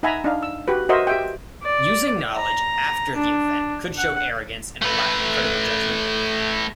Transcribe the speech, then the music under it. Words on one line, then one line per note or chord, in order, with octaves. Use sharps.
Using knowledge after the event could show arrogance and a lack of critical judgement.
D#4 E5 F#5 G#5 A#5 B5
D4 D#4 F5
E6
F#4 G4 B4
F#4 A#4 C5 D#5 E5
G4 E5 G5
D5
A#5
D4
F#5
A3 B4